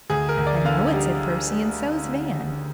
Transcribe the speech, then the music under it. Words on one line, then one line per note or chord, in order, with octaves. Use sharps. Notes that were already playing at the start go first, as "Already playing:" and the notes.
"I know it," said Percy, "and so's Van!"
D2 G#4
A#4
D2
D5
D3 F5
G3